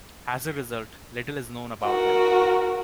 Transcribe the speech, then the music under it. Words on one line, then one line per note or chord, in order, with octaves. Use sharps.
As a result, little is known about him.
F#4 A#4